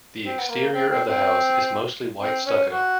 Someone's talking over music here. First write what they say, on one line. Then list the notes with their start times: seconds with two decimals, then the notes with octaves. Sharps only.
The exterior of the house is mostly white stucco.
0.25 C4
0.38 B3
0.49 A#3
0.74 C4
0.90 C4
1.07 C4
2.21 C4
2.46 C#4
2.70 F#4